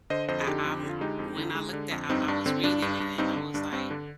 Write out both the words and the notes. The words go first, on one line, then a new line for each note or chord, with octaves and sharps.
I, um when I looked at I I was reading it and I was like,
D3 C5 D#5
F2 C5 D#5
G#4
D3 D#4 G4
F2
D3
F4
G#3 D#4 G4
F2
D3
G#3
D3
F2
G2 C4 D#4
G2 D4
D3 C4
G2 D4
G2
G2
G2 C4 D#4
D3
G2 D4
G2 C4
D3 D4